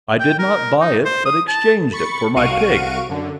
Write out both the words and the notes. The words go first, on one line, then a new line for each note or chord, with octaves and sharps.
"I did not buy it, but exchanged it for my pig."
G5
A#4
D#4
C5
D#6
A5
B5 C#6 A6 C#7
C2 F#4 F5 C#6 D7 D#7
F#2 D3